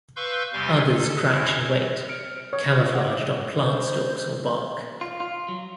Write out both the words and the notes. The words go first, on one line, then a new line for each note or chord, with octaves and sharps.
Others crouch in wait, camouflaged on plant stalks or bark.
B4 F5 C6 C#6 E6 G6
E2 C3 G3 F5 G#5 C6
A4
F#2 E4
F6 C#7 D7
C#5
F4 F#4 E6
F#5 D6
C5
F4
F4
F#3